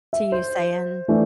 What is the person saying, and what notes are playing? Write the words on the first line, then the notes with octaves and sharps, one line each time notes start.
to you saying,
E5
C5
E3 A3 D4